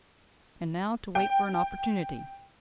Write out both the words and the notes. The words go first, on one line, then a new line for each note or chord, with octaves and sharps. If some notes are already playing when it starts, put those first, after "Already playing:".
And now to wait for an opportunity!
G5